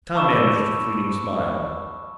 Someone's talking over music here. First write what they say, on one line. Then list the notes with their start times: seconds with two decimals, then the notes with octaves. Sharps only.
Tom managed a fleeting smile.
0.15 A5 B5 C#6 D6 E6 E7